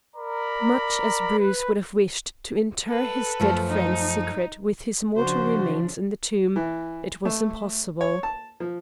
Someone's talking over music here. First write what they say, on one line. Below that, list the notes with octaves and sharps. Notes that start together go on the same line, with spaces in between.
Much as Bruce would have wished to inter his dead friend's secret with his mortal remains in the tomb, it was impossible.
A#4 D5 A#5 B5
B4
A4 B4
F#2 F3 A3
D#4
C#3 F3 D4 F#4 C5
E3
A3
C#5
A5
F3